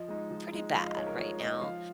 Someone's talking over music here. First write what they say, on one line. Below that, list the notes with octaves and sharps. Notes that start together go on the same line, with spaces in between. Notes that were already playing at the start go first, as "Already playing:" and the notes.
pretty bad right now.
Already playing: F3 D#5
G#3 D#4
F3
G#3 D#4
F3 F5
D#5
G#3 D#4 C#5
A#4
F3 C#5
G#3 D#4 D#5
F3 F5